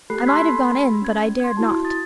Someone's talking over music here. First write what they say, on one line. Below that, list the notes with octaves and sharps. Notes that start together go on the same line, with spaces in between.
I might have gone in, but I dared not.
A3 G4 A4 B5 F#6 C7
A5 B5 C6 E6 G#6 B6
C#4 G#6
C6 G#6
E4 F#4 A5
D#6 A6